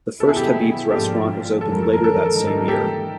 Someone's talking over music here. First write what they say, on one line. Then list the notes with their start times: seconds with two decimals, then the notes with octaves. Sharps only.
The first Habib's restaurant was opened later that same year.
0.20 B2 F#3 B3 E4 A4
0.28 G#4
0.36 G4 A4
0.90 G#2 F3 A#3 D4 F4 G4 A4
1.61 F#2 C#3 F3 G#3 A4
1.72 A#4
1.83 A4
1.93 A#4
2.04 A4
2.14 A#4
2.25 A4
2.32 G#2 E3 G3 A#3 D#4 A#4
2.47 A4
2.58 A#4
2.68 G4 A4